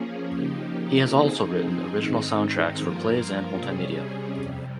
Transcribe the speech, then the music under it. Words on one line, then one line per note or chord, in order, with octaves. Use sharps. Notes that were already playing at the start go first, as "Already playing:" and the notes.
He has also written original soundtracks for plays and multimedia.
Already playing: F3 A#3 C#4 G#4
C#3 F3 A#3 D#4 G4
F3 C4 D#4 G#4
G#2 D#3 G#3 C4 D#4
G2 F3 A#3 F4 A#4
C3 G3 C#4 G#4
F2 C3 G3